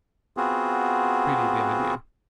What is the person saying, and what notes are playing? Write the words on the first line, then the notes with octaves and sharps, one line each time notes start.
Pretty, the idea!
B3 C4 F4 F#4 G#4